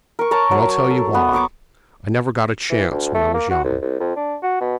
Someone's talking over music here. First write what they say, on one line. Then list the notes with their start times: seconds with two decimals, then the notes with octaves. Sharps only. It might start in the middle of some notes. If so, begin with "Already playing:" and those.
And I'll tell you why; I never got a chance when I was young.
0.19 A#4 C#6
0.31 A#4 C#5 A5 A#5
0.51 F#3 C#5 F#5
0.90 A4
1.13 B3 F#4
1.33 A#5 C#6 D6
2.70 E3
2.91 D2
3.14 A3
3.34 A#3
3.50 F#4
3.64 C2
3.81 C2
4.00 F2
4.16 D4
4.43 F#4
4.60 B2